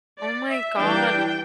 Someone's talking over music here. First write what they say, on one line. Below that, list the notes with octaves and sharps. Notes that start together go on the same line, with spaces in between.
Oh my god,
D5
E5
E3 G3 D4 G5